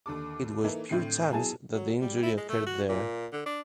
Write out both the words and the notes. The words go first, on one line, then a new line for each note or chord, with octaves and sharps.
It was pure chance that the injury occurred there.
D#2 D3 A4 D6
E3 A#3 D#4 A4
A2 D3 C4 C7
B2 F#3 E4 G#4 G#5 A5
F#3
G3
E4
G#3
A3
F#4
A#2
D3
D4